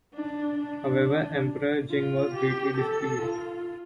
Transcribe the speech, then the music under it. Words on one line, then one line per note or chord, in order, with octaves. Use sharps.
However, Emperor Jing was greatly displeased.
D4
D4
D4
F4
G4
A4
F4